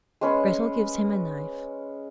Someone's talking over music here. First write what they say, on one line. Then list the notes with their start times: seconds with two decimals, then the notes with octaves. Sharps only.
Grettel gives him a knife.
0.21 G#3 C#4 B4